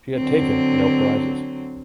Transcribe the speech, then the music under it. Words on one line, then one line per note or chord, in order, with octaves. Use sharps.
She had taken no prizes.
D3 F#3 C4